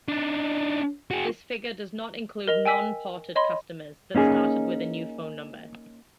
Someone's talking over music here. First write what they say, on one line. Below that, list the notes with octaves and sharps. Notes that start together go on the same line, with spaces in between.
This figure does not include "non-ported" customers that started with a new phone number.
D4 D#4
F#4 G#4
A#4 D#5 F7
G5 G#5 E6 B6
C#5 D#5 B5 C6
A#3 C#4 D#4 G#4